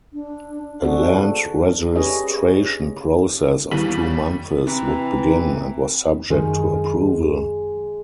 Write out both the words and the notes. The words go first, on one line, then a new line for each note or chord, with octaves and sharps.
A land registration process of two months would begin and was subject to approval.
D4
C4 D4 F#4 G#4 A4
C#4 G4 G#4 B4 C#5 D#5
D#2 E3 G3 B6 D#7 F#7
C3 E3 C4 A#5
F#2 D#3 G#3